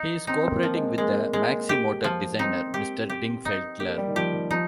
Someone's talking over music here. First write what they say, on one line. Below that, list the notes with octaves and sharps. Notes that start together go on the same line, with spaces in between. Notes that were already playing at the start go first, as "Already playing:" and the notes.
He is co-operating with the Maximotor designer, Mr. Dingfelder.
Already playing: D#4
C4 D#4
C4
A#3
F3
G#3
G#3 A#3
G#3
G4
F3
C4 D#4
G4
G4
D#4
A#3 G4
G3
D#3
F3 G4
D#3
F3 D#4